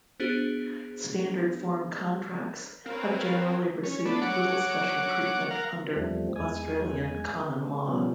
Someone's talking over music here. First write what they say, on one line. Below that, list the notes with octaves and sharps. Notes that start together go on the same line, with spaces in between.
Standard form contracts have generally received little special treatment under Australian common law.
B3 D4 F#4 G#4 C5
C4 A#4 B4 C#5 F5
C#4
A3 B3 D4
F#3 C#5 F#5 D6
A#4 F5 F#5
E2 F3 G3 A3 C4
E2 G#3 G#5
B2 D#3 F3 G3 B3 C#4